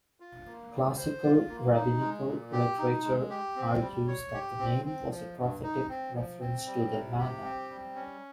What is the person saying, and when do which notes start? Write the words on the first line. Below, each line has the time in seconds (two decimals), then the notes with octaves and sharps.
Classical rabbinical literature argues that the name was a prophetic reference to the manna.
0.20 F4
0.46 A#3
0.72 G3
0.97 C5
1.23 F4
1.49 A#3
1.75 D#4
2.00 G#3
2.27 A#2
2.52 G4
2.78 D#4
3.04 G#3
3.30 G4
3.56 C4
3.81 G3
4.08 C#5
4.34 G4
4.59 C4
4.85 C4
5.11 F3
5.37 G2
5.63 D#4
5.89 C4
6.15 F3
6.40 C4
6.66 G3
6.92 C3
7.18 G4
7.44 C4
7.70 G3
7.95 C#4